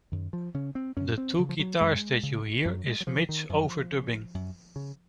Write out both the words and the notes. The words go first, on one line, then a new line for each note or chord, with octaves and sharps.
The two guitars that you hear is Mitch over-dubbing.
F#2 D#3
F3
C#3 C#4
C4
F#2 C#4
C4
C#3 F3
F3
F#3
F#2 G#3
C#3
F#2 F#3
G#3
F#3
C#3 F3
D#3
F#2 F3
C#3
F#2
C#3